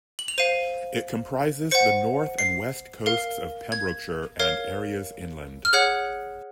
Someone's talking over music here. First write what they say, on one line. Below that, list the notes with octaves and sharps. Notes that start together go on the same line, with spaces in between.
It comprises the north and west coasts of Pembrokeshire and areas inland.
F#7
F7
C5 F5 D#7
C5 F#5 C#7
C7
A#4 F5
G#6
A#4 C#5 F5
F6
G#4 C#5 F#5 F#6